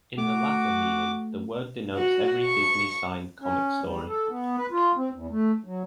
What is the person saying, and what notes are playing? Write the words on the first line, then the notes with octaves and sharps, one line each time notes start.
In the latter meaning, the word denotes every Disney signed comic story.
A3 F#4 D6
F#4
C#6
C#4
G3
A4
B3
B4
F4
C4
E2
A3
F#3